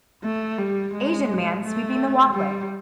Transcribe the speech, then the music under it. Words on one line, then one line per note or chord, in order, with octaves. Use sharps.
Asian man sweeping the walkway.
A3
G3
G#3
A3
G3